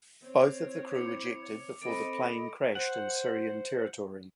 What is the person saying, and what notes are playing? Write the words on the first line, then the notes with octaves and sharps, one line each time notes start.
Both of the crew ejected before the plane crashed in Syrian territory.
C4 C#5
E4 D6 C#7 F7
C4 A4 D#5 B5 D7
C5 F#5